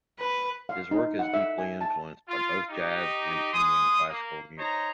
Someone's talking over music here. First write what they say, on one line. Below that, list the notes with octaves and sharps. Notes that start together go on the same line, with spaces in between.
His work is deeply influenced by both jazz and Indian classical music.
B4
F5
D#4
F#5
E5
G#5
A5
F4
D#4 G4
G#4 C6 D#6
A#3
D#4 C5 C#5 A#5